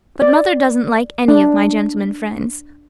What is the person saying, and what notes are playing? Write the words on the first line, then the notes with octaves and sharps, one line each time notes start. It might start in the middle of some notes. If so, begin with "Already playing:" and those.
But mother doesn't like any of my gentlemen friends.
D5
D4